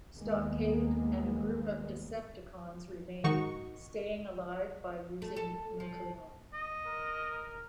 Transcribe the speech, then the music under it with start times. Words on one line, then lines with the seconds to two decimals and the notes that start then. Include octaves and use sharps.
Stockade and a group of Decepticons remain, staying alive by using Nucleon.
0.14 D#2 D#3 G3 G#3 A#3 B3
3.24 G#2 D#3 D#4 F#4 C#6
5.22 A3
5.36 A4
5.80 F3
6.53 D#5
6.87 A#4